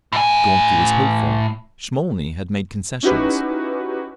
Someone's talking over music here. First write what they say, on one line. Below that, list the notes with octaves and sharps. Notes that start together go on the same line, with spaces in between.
Gorky was hopeful; Smolny had made concessions.
A2 G#5
C#4 D#4 E4 F#4 G4 B4